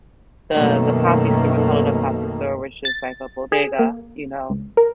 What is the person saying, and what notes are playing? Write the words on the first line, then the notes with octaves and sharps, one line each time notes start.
the the papi store, we call it a "papi store," which is like a bodega, you know,
F#2 B2 D#3 A3 A#3
A6
G#4
A#3
C#2
A#4